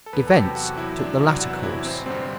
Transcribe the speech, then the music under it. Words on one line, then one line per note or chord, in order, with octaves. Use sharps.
Events took the latter course.
A4
E2 B4
A4
C3 F#3 G4
E2 F#4
C3 F#3 E4
E2 D4
C3 F#3 E4
E2 F#4
C3 F#3 E4
A1 C4
G2 D3 G3 C4